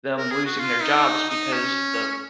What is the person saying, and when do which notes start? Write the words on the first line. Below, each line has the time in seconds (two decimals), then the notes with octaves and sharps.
them losing their jobs because the
0.17 A#4
0.31 G#4
0.46 F#4
0.59 F4
0.83 D#4
1.30 D#4
1.53 C#4